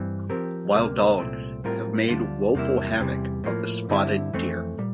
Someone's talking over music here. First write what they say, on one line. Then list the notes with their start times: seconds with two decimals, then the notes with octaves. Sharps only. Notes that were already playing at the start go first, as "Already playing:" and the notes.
Wild dogs have made woeful havoc of the spotted deer.
Already playing: G2 E3 G3 C4
0.30 F3 C4 G4 A#4
0.74 D2 C3 G3 A#3
1.18 C2 A#2 A3 C4
1.64 A2 G3 C4 F4 A#4
2.08 D2 D3 G3 D4 F4
2.54 E2 C3 G3 A#3 E4
2.99 E2 C3 E3 G3
3.44 A2 F3 A#3
3.89 G2 D3 G3 C4 E4
4.33 F2 E3 A3 C4
4.78 A#2 G3